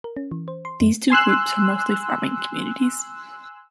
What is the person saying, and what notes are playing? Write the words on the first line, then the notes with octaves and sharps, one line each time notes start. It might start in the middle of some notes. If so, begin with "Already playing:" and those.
These two groups are mostly farming communities.
A#4
C#4
E3
C5
C6
F#2
G#5 C6 E6 F#6